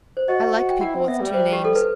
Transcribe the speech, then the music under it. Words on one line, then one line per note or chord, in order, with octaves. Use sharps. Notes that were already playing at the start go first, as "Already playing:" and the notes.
I like people with two names.
C5
F#4 D#5
F#4
G5
E4 F#5
C4
B3 E5
G3
C5
G4
A4
B4